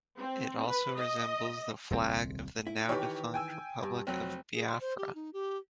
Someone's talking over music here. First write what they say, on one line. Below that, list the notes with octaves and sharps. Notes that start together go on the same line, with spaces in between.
It also resembles the flag of the now-defunct Republic of Biafra.
C4
B4
D#5
D#1 C2 B2 C4
E4
D#3 E3 G4 B4 C#5
G5 G#5 E6
G2
F1 F#3 C4
G#4
C6
C5
G4
D#4
G4